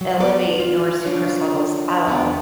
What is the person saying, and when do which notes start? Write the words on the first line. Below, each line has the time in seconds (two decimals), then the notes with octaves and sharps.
elevate your sucrose levels at all.
0.01 F#3
0.20 B3 B4 D5
0.60 F4
1.05 F3 F#3 D4 F4 C#5
2.07 E2 B3 D4